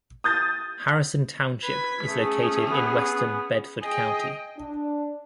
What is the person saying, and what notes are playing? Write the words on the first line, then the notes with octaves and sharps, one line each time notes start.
Harrison Township is located in western Bedford County.
D#6 G6 A6
B4 G#6 B6
A3 C#4 G#4
B3
G#4 D#5 G5
D4